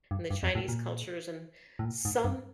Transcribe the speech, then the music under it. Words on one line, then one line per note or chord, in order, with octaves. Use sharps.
and the Chinese cultures and some,
G2
G2
F2
A2
A#2
A2
A#2
G#2
G2